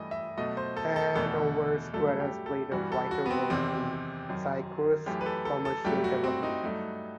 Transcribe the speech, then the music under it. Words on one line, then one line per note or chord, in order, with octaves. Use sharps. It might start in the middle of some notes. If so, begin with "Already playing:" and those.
Hanover Square has played a vital role in Syracuse's commercial development.
Already playing: G2 E3 A3 D#5
E5
B2 F#3 A3 D#5
C5
A4
A4
E2 B2 A3 A4
G2 F#3 A3 A4
G4
A4
G2 E3 G3 F#4
A4
F#4
B3
C4
E2 C3 D#3 C4
F#2 D#3 F#3
F#2 E3 A3 G4
B4
A4
A4
A4
G2 F#3 A3 G4
F#4
C4
D#4
G2 F#3 A3